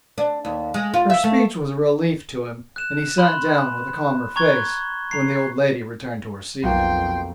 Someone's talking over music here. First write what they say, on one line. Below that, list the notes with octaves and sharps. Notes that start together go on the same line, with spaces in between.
Her speech was a relief to him, and he sat down with a calmer face, when the old lady returned to her seat.
D4
D#2
G#3
F4
E5
A3
F#6 E7
B5 C6 F#6
A#5 C#6 F#6 G#6 G7
A#5 C7
B1 F2 B2 A#3 F4 F#4 G5 C6